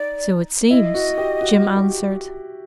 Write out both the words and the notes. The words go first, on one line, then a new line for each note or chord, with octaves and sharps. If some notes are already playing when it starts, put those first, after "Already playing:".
"So it seems," Jim answered.
Already playing: D#4 D5
E4 D#5
F#4
G4
F#4
G4